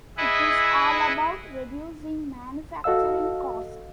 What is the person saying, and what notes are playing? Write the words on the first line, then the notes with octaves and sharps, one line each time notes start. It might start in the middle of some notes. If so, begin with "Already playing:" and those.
It is all about reducing manufacturing costs.
E4 G#4 B4 D#5 E5 F#5
F#4 A4 D#5 F5 E6